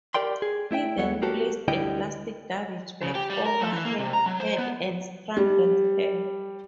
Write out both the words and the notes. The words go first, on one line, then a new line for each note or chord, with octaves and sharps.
He then placed a plastic garbage bag over her head and strangled her.
G4 A#4 D5 G5 C6
G#4
A3 E4 E5 G5
D#2 F#3 B3 A4 C#5 F#5
A#3 B3 F#4 G4 A4
D2 D3 G3 E4 D#5 G5
C#3
G4
G3
A#4
A3
E3
A#3
C3
A#5
F#3
C5
B3
G3